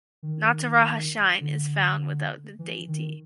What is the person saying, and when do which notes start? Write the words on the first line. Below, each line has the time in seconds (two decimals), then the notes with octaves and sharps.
Nataraja shrine is found without the deity.
0.23 D#3
1.41 D3
2.59 E3
2.88 D#3